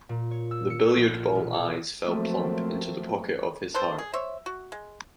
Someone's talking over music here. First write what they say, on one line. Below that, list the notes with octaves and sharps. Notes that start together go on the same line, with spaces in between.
The billiard-ball eyes fell plump into the pocket of his heart.
A#2
C#5
E6
C#7
A#1
F6
E1
A4
F3 F#3 A3 A#3 C4
B3 C4 A4 C5
G#4
C5 C#5 E5
F#4
G#3